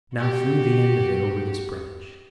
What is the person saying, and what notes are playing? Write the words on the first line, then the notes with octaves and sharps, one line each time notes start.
Now fling the end of it over this branch.
F#4 G4